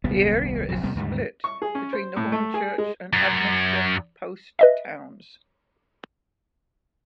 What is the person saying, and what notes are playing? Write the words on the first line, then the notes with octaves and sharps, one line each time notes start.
The area is split between the Hornchurch and Upminster post towns.
D#1 C2 G3 B3
F#1 B1 F2 F#3
E2 C3 G3 B3
D#2 G#2 D3 G3
C#6
G#4
C#4
C5
A2
A3
G#4
G#3
F#2
B4 D#5 E5